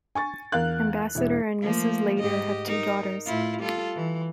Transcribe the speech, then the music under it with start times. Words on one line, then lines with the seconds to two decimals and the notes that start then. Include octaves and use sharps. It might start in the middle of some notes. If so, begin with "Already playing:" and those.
Ambassador and Mrs. Lader have two daughters.
0.15 G#5 C#6 A6
0.52 E2 A#4 F5 F#6
1.15 E1 E4
1.62 F3 A3 A#3
2.20 G#2 G4 D#5
2.65 D#4 A#4
3.26 A2 E4 F4
3.60 G3 F4 A4
3.95 E3